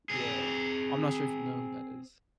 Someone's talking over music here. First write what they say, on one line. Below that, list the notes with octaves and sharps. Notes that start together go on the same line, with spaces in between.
Yeah. I'm not sure if you know who that is.
C4 G#4